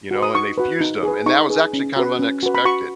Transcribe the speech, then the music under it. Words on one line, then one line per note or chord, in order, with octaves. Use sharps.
you know, and they fused them, and that was actually kind of unexpected,
F#4 B4
D#6
D#4 C#6
F#4 B4
D#4
G#4 B4
D#4 C#6
G#4 B4
C#4
F#4 B4
C#4
F#4 B4
B5
F#4 C#6